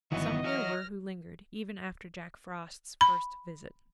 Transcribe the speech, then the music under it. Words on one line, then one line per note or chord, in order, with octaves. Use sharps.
But some there were who lingered even after Jack Frost's first visit.
G1 D#3 E3 F#3 B3 E4 D#5 C#6
E3 F#4 C#5 F6 A#6
B5